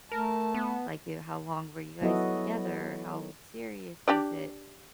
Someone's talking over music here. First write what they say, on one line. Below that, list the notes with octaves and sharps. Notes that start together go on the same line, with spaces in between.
like, you how long were you guys together? How serious was it?
A3 A#4 A5
B3
F#3 B3 E4 F#4 A4 D#5
D4 G4 D5